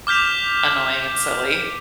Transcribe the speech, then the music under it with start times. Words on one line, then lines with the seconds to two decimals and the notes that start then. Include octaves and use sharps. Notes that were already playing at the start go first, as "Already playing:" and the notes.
annoying and silly,
0.07 D6 F6 G6 B6 F7